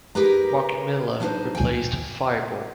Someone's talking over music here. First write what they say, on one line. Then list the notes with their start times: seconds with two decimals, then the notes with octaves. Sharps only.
Mark Miller replaced Firebaugh.
0.15 D#4 G4 G#4 A#4 B4 A#5
1.20 F#3 D4 D#4 G4 B4 C5
1.55 G5 G#5